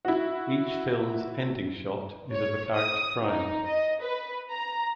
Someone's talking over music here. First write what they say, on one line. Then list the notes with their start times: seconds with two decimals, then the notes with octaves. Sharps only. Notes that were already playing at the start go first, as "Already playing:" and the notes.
Each films' ending shot is of a character crying.
0.05 E4 F#4
2.32 C#5
2.75 D#6
3.23 D#4
3.66 D#5
4.02 B4
4.52 A#5